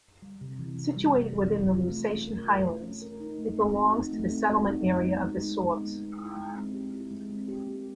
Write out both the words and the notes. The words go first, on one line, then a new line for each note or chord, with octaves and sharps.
Situated within the Lusatian Highlands, it belongs to the settlement area of the Sorbs.
G3
C3
E3
C3
G3
C3
E3
C3
F4
A3
C#4
A#4
F4
A3
C#4
A#4
D#4
A3
C4
F#4
D#4
A3
C4
F#4
D#4
G#3
B3
G#3
D#4
G#3
B3
G#3
E4
G#3
C4
G4
E4
G#3
C4
G4
A#3